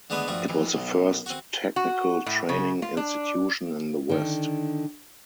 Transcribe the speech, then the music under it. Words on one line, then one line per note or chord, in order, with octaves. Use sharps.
It was the first technical training institution in the West.
D3 G#3 A3 B3 B4
G2 F3 A3 F#4
F2 E3
B1
C4 F#4
F#4
A2
C#3
F4
D4
D3 D#3